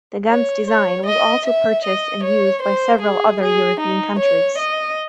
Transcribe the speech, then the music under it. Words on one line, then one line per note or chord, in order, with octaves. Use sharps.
The gun's design was also purchased and used by several other European countries.
C#5
C#5
D#5
E5
D#5
C#5
C5
G#4
G#4
D#4
C#5
D#5